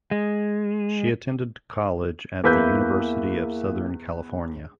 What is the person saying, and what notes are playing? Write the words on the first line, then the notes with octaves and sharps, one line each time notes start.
She attended college at the University of Southern California.
G#3
E2 A#3 E4 B4 E5 G6